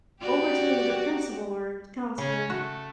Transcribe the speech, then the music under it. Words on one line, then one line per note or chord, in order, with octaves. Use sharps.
over to the principal or counselor,
F#4 G4 D5
C#3 C#4
A3 F#4